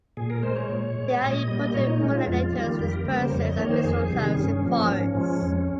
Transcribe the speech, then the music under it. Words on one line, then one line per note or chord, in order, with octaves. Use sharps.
They are important pollinators and dispersers of mistletoes in forests.
A#2 G#4
A#4
G#3 C5
C#5
A#2
G#3
A#2 D#5
G3 A#3
A#2 C#5
D#4
G#3 C#4
F4
F2 F4
D#3 G3 A#3
F2 G4
A#4
C#3 G3 A#3 A#4
C5
F2 C#5
D#5
D#3 A#3 C#5
C5
F2 G#4
C3 D#3 G3
G2 C#4
F3 A#3
G#2
F3 G#3
F2 C#4